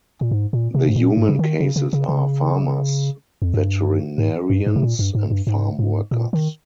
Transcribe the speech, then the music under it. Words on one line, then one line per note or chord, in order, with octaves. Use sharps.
The human cases are: farmers, veterinarians and farm workers.
A#2
G#2
A#2
C3
G#2
A#2
G#2
C#3
D#3
C#3
C#3
C#3
C#3
F2
G2
G#2
G2
G#2
C3
A#2
G2
G#2
G2
G#2
G#2
A#2
D#3